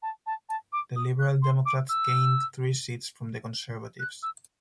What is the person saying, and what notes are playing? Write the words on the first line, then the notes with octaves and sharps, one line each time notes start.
The Liberal Democrats gained three seats from the Conservatives.
A5
A5
A5
D6
D#6
F#6
C6
D6
E6
F#6
E6